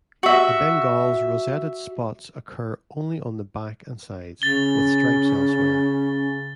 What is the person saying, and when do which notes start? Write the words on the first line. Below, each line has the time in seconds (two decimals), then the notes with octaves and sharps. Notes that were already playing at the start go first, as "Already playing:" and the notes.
A Bengal's rosetted spots occur only on the back and sides, with stripes elsewhere.
0.23 F#4 E5
4.42 C#3 C#4 A6 G7